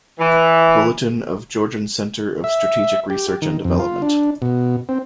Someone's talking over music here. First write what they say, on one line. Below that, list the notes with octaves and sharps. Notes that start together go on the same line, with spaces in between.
Bulletin of Georgian Centre of Strategic Research and Development.
E3
E5
G4
G4
D#3
F2
F4
D4
B2
C4